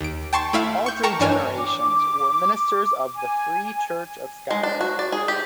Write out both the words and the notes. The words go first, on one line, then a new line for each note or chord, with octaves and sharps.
All three generations were ministers of the Free Church of Scotland.
D#2 D7
G5 A5 C6 C#6 A6
A3 E4 E5 F5
C#6 G6
A#4 G5 A5 C#6
G2 E3 D4 C#5 G#5 F6
D6
G#5
G#3
D4
F#4
D5
G#4
G4